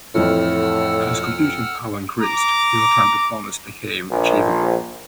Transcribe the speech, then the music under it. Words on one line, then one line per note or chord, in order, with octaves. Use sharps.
As computing power increased, real-time performance became achievable.
F2 A2 E3 F4 F#5 E6 F6
A#5 D6
A#1